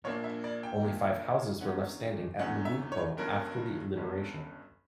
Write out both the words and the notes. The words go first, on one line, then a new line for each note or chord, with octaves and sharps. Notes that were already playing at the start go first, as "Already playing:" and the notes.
Only five houses were left standing at Magugpo after the liberation.
A#1 A#2 A#3 D4 C#5
E5
D5
G5
A#1 A#2 A#3 D4
E2 D3 F#3 C#4 F#5
E2 D3 F#3 C#4 F#5
E5
C#5
G1 G2 F#3 C#4 A#4
G1 G2 F#3 C#4